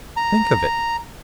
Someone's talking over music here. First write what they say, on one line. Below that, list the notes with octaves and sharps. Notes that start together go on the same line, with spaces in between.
Think of it!
A#5